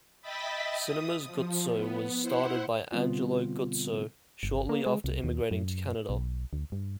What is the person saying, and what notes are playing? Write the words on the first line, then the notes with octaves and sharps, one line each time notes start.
Cinemas Guzzo was started by Angelo Guzzo shortly after immigrating to Canada.
D#5 E5 G5 B5 A6 B6
D#6
F3
B3
E4 C5 F#5
B2 D3 G3 B3 C4 F4
G1
A#3
G#3
C2
D#2
F#2
B1
D2
G2